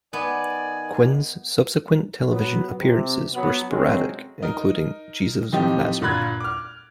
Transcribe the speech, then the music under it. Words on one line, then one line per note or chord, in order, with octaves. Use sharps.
Quinn's subsequent television appearances were sporadic, including "Jesus of Nazareth".
D#3 B3 D5 G#5
F#3 B3
C3
F#3 B3
C3 F#3 G#3 A3 C4 C#4
D#4 A#4
A2 F3 C4 D#4 G4
G1 A#2 F4 B5 F#6 G#6
D6 F6